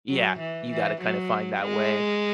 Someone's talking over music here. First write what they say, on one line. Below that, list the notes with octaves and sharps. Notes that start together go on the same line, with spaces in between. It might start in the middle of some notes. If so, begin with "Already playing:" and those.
Yeah, you gotta kind of find that way.
F#3
E3
E3
F#3
G#3